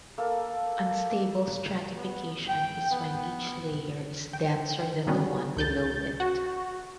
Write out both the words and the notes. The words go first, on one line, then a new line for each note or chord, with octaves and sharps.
Unstable stratification is when each layer is denser than the one below it.
A#3 A4
B3
G5
B3
G5
D#3 F#3 G3 B3 C#4 D4
C#2 G6 A6
F#4